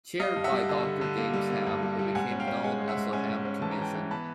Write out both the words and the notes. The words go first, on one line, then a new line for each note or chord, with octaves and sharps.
Chaired by Doctor James Ham, it became known as the Ham Commission.
G3 D#5 F5
G2
E5 F#5
G3
D3
D3
D3
A#3
G3
A#3
G2
G3
G3
G#2 F#5 G#5
C#4
F5 G5
C#4
G#3 F#5 G#5
G#3
E5 F#5
G#2
C#4 F#5 G#5
G#2
C#4
E3 A5
A#5
E3 G5 A5
E3
B3 A5 B5